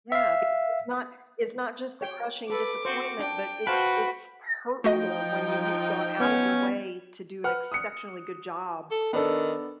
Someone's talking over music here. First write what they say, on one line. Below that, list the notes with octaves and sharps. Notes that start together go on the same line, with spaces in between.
Yeah, because it's not it's not just the crushing disappointment, but it's it's hurtful when you have gone out of your way to do an exceptionally good job,
E5 F5
C#5 G5
A4 B4 D6
C4 F#4 C5
D4 G5
F#4 B4 C5 F5 A5
F3 A3 D#4 F#4 D#5 G5
B3 C#4
B4 F#5 F6
D#6 F#6 C#7
A4
D#3 B3 D4 A4